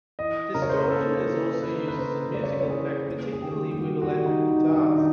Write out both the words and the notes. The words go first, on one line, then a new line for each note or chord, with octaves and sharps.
Distortion is also used as a musical effect, particularly with electric guitars.
E3 D#5
C#3 A#4
C#5
C5
B4
A#4
A#3 A4
E3
E3 B4
B4
C#3 C5
C#3 D5
C#5
C5
C#5
E3 G#4
A#3 G#4
G#4
D#3 G4
G4
G3 F#4
F#4
D#3
D#4
D#3 D#4
D4
D#3
D#4